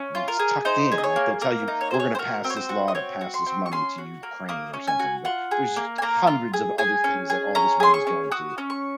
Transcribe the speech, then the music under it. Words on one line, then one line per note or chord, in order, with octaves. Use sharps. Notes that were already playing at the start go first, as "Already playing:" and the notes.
It's tucked in like they'll tell you we're going to pass this law to pass this money to Ukraine or something, but there's us hundreds of other things that all this money is going to,
Already playing: C#4
F4
A#4
G#4
D#4 C5
G#4
D#5
C#5
A#3
A#3 A#4
D#4
C#5
G#4 C5
C#5
C5
F#4 A#4
C4
C#5
C5
F#4
D#5
C4 C#5
F#4
C6
C4
C#6
C#4 C6
F#4
A#3
A#3 D#6
C#4
G#5
F#4
F4 F#5
G#4
A#3
G#5
A#3 A#5
F4
G#4
G#4 G#5
C#4
G#4
C#4 A#5
G#4 C6
C#6
C#4
F#4 D#6
C#4
C#6